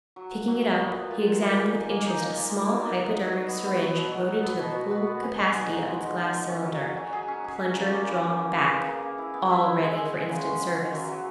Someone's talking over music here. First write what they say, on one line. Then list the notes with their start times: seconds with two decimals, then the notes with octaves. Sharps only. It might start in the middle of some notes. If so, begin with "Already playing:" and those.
Picking it up, he examined with interest a small hypodermic syringe loaded to the full capacity of its glass cylinder, plunger drawn back--all ready for instant service.
0.16 F#3
0.32 A#2
0.48 F#3
0.63 A#2
0.80 B3
0.95 A#2
1.11 A#2
1.27 A#2
1.42 A#3
1.59 G#4
1.75 D#4
1.90 A#3
2.06 D#4
2.22 A#2
2.37 A#2
2.54 A#3
2.69 F#3
2.85 D#4
3.01 B3
3.17 D#4
3.33 F#3
3.48 B3
3.64 B3
3.80 F#3
3.96 B2
4.12 F#3
4.28 F#3
4.43 B3
4.59 B2
4.75 F#4
4.91 F#4
5.07 B3
5.23 G#4
5.38 D#4
5.55 D#4
5.70 D#4
5.86 G#3
6.02 G#3
6.18 D#4
6.34 A#2
6.49 C#4
6.66 F#3
6.81 G#4
6.97 F#3
7.13 G#4
7.28 C#4
7.44 G#4
7.60 F#3
7.76 C#3
7.92 A#3
8.07 E3
8.23 A#3
8.39 A#3
8.55 C#3
8.71 C#3
8.87 A#3
9.02 G#4
9.18 E4
9.34 B3
9.50 E4
9.65 G#3
9.82 G#3
9.97 G#4
10.13 G#3
10.29 C#3
10.45 C#4
10.60 C#3
10.77 C#4
10.93 F#3
11.08 F#3